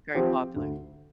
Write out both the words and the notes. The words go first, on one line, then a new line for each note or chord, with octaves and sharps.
very popular.
F3 C4 G4
D2